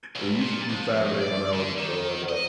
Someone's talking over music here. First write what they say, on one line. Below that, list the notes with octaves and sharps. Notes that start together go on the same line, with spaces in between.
It used to be Saturday when I was growing up.
B1
A#2
F2
D5
D3
D#3
D#5